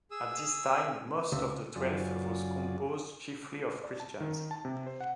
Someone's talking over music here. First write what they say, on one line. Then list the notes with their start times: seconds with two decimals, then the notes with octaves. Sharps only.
At this time, most of the Twelfth was composed chiefly of Christians.
0.11 G#4 D#6 E6
1.32 C#2 E5
1.76 F#2 C#3 F#3 F4 G#4 D5
3.83 D5
4.00 A5
4.20 D#3
4.51 A5
4.65 C3
4.87 C5
5.01 F#5